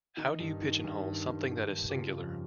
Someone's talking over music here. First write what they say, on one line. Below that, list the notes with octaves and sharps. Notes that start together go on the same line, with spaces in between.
How do you pigeonhole something that is singular?
D#3 D#4
G2
D#3
G2
D#3
G2
D#3
G2
G4
C#3 F4
F2